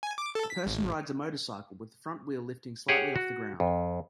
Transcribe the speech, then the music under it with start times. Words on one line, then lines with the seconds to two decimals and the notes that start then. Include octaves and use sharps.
A person rides a motorcycle, with the front wheel lifting slightly off the ground.
0.03 G#5
0.18 D6
0.35 A4
0.50 B6
0.66 G#1
2.89 G4 G#4 C#5 F#5
3.16 F#4
3.60 F2